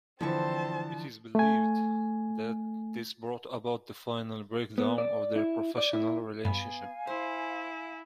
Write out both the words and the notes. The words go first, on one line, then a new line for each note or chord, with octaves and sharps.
It is believed that this brought about the final breakdown of their professional relationship.
D3 E3 F3 C4 E4 C5 A5 C#6
A3 G#5
B3
D5
E4
D5
E4
G2 B3 F5 G#5
E4 C5